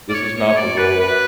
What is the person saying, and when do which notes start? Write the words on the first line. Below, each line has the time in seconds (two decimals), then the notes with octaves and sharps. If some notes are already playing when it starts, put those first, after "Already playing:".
this is not the role
0.09 D5
0.14 C#5
0.35 C#5
0.48 C#5
0.56 D5
0.78 B4
0.99 B4